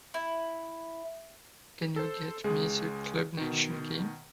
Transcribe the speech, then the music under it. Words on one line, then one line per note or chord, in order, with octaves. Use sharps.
Can you get me the Club Nation game?
E4
A4 C5
C#2 G#3 G#4
B2 D#3